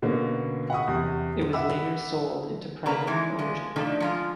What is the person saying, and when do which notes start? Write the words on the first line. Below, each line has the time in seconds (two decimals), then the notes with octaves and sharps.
It was later sold into private ownership.
0.02 B2 D3 A#3 B3 C#4
0.70 F#5 B5 C#6 D#6
0.88 E2 C3
1.53 E5 F#5 B5 D6 E6
2.86 C#3 A#3 B4 A#5
3.07 D#3 E3 G#3
3.39 F3 G#3
3.76 D3 D#3 F3 A3
4.00 F3 G#3 F4